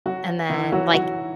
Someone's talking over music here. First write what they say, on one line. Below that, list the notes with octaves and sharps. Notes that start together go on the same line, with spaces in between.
And then, like,
F#3 F#4
E3 E4
F#3 F#4
F#3 F#4